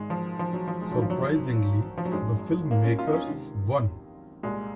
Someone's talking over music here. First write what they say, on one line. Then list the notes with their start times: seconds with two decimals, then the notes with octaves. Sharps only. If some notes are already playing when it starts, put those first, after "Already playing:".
Surprisingly, the filmmakers won.
Already playing: G#1 G#2 D#3 G#3
0.10 F3
0.39 F3
0.53 F#3
0.68 F3
0.82 G#3
0.91 F#3
0.97 G#1 F#2 D#3 F3
1.10 F#3
1.97 F3
2.05 F#3
2.12 G#1 F#2 D#3 G#3
2.71 A#3
2.84 C#4
2.99 F4
3.07 D#4
3.13 C#4
3.28 C#2 C3 D#3
4.43 C2 A#2 G#3